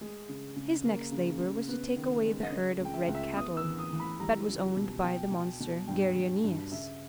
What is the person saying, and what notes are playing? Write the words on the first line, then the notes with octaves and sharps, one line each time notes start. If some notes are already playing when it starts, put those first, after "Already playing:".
His next labor was to take away the herd of red cattle that was owned by the monster Geryoneus.
G#3 G#4
C#3
C#3
A#3 A#4
C#3
C#3
B3 B4
D#3
G#3
D#5
C#3 C#5
C#2 G5
E5
C#2
E5
B3 D#6
E6
E3
D#6
E3
B5
G3 A#5
C#2
B2
B2 G5
B2
B2
G2 G5
G2
G2
C#3 E5